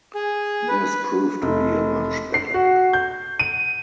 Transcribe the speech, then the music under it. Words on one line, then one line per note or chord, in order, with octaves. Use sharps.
This proved to be a much better plan.
G#4
B4
F1
C7
F#4
G6
D#7